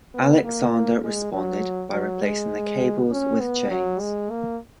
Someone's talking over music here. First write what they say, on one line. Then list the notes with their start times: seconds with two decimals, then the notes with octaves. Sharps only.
Alexander responded by replacing the cables with chains.
0.14 B3
0.44 A#3
1.04 G#3
1.33 F#3
1.92 F#3
2.22 G#3
3.11 C#4
3.41 B3
3.71 F#3
4.00 G#3
4.30 A#3